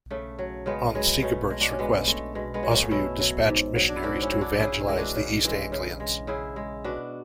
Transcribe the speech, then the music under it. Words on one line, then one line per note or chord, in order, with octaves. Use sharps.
On Sigeberht's request, Oswiu dispatched missionaries to evangelise the East Anglians.
C#3 A3
F#3
C#3 G#3 B3
F#3 G#3 B3
B2 A3 C#4
G#3
D4 F#4
C#4
B2 G#3 B3
G#3 A3
B2 G#3
G#3 B3
F#3
A3 C#4
B2 C#4 E4
F#3
G#2
F#3
D4
E4
G#2 D4 F#4
C#4 E4
F#3
D4 F#4
C#3 E4 G#4
E3 G#3
D4 F#4
C#3
E3 G#3
C#3
G#3
C#3 E4 G#4
G#3
B2 D4 F#4